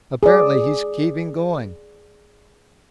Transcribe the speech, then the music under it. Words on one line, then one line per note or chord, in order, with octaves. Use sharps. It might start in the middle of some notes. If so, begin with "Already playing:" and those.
Apparently he's keeping going.
G#4 D5